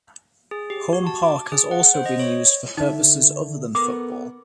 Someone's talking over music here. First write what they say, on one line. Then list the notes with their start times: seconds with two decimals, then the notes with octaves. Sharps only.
Home Park has also been used for purposes other than football.
0.51 G#4
0.70 G4
0.93 F#4
1.07 A5
1.23 D6
1.52 G#4
1.71 F#5
1.94 C5
2.06 D#5
2.19 C#5
2.77 D3 D#4 E5
3.75 B3 A4 A#4 D6